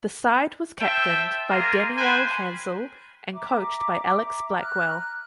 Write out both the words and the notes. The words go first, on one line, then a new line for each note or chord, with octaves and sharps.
The side was captained by Danielle Hazell and coached by Alex Blackwell.
C5 E5 G5 A5
A#3 F4 G#4 A#4
B4 C5 G5 G#5
E5 A#5 D6
A#5 F6 F#6